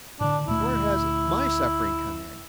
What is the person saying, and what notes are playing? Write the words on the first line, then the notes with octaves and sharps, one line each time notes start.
Where has my suffering come in?
A2 D3 D4
D2 A#2 A3 E4